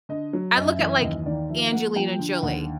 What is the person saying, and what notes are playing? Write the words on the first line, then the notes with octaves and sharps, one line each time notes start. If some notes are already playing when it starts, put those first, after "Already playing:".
I look at, like, Angelina Jolie,
D3 D#5
F#3
F#2 D#5
E5
E3
E5
D#2 D#5
D#3 D5
F3 E5
A#3 F#5
F3 G5
D3
D#2 F#5